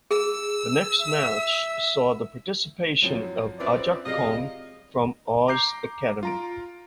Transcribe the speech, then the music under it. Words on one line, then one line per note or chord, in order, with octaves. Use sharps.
The next match saw the participation of Aja Kong from Oz Academy.
G#4 E6
E5
F#2 F3 F#3 C4 E4 C#5
C4 C#4 F4 B4 D5 E5
C3 F#3 F4 G#4 D5 D#5 F5
A#5 D6 G6 C7
F4 A#5 D7